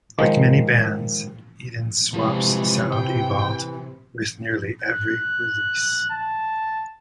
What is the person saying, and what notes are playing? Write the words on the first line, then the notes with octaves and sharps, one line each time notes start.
Like many bands, Ednaswap's sound evolved with nearly every release.
D#3 F3 G#3
C3 E3 F3 G#3
G5
F#6
A5